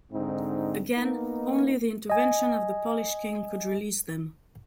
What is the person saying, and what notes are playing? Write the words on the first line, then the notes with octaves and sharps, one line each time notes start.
Again, only the intervention of the Polish King could released them.
G#2 D3 C4 D#4
A#3 B3 D#4
D#5 G#5